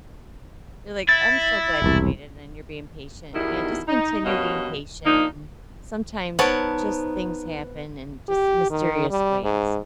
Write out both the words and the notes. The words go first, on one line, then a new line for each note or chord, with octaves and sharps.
you're like I'm so glad you waited and you're being patient. Yeah, just continue being patient and sometimes, just things happen in just mysterious ways.
E4 A6
E1 C2
E2 B2 D#3 G3 D#4 E4
D#4
G2 B2 A#3 C#4 D#5
F3 A#3 D4 D#4
B3 D#4 C5 C#5 A5 D7
G4
D#3
G3
G#2